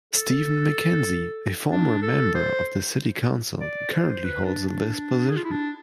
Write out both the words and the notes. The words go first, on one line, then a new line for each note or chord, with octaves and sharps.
Steven Mackenzie, a former member of the city council, currently holds this position.
A4
D4
A4
C5
D5
C5
B4
D4
D4
G#4
F4
E4
D4